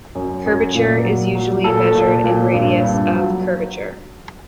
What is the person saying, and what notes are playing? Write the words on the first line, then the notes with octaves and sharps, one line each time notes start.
Curvature is usually measured in radius of curvature.
F#2
F#2
A#2
F#3
F#3
A#2 A4
A#2
A#2
G2
G2
F#3